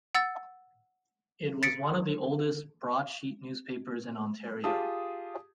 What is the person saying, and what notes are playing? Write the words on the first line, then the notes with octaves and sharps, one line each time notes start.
It was one of the oldest broadsheet newspapers in Ontario.
F#5 E6 A6
A6 B6 C#7 D7
F4 G4 G#4 A5 D#6